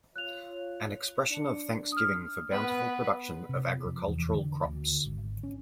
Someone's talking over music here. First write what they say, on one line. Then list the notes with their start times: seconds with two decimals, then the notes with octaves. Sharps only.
An expression of thanksgiving for bountiful production of agricultural crops.
0.16 F4 C#5 F#6 F7
1.31 D4 C#7
1.92 D#6 F6
2.51 B3 B4
3.49 C3
3.86 F2
4.08 E2
4.34 D3
4.65 D2
5.06 G#1
5.43 C#4